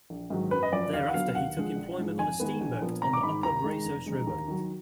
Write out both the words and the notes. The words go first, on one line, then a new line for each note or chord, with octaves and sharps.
Thereafter he took employment on a steamboat on the upper Brazos River.
A#1
G#2 D#3 F#3
F#1 B4
D#5
F#2 F3 D5
D#2 F5
F#5
D3 F#3 B3 F5
F5
D#2 F#5
D3 F3 G#3
A#1
G#2 F3 G#3
F2 G#5
D#3 G#3 B3
A#1
A#2 F3 B3
G#1 A#5
D6
G#2 D#3 B5
D#2 A#5
D#3 G#3
F1
F2 D3 G#3
D#2
D#3 F#3